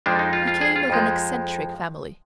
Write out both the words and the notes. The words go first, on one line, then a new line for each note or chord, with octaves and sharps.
He came of an eccentric family.
F2 F3 G#3 D4
D#4
F4
F4
G#4
F4
F2 F3 G#3